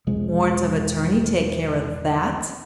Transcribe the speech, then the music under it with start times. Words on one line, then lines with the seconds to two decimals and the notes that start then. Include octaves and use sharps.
Warrant of attorney--take care of that.
0.07 E1 C2 F3 G#3